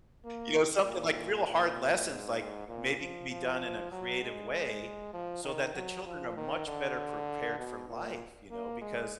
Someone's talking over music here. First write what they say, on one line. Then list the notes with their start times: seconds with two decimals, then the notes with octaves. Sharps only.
You know, something like real hard lessons, like, maybe could be done in a creative way, so that the children are much better prepared for life, you know, because
0.24 A#3
0.85 A#2
1.46 A#2
2.07 G#2
2.68 A#2
2.99 F3
3.30 F3
3.91 F#3
4.22 G#3
5.14 F3
5.44 D#3
5.75 F#3
6.05 F3
6.37 D#3
6.67 D3
7.59 B2
7.89 A#2
8.51 A#3
8.81 G#3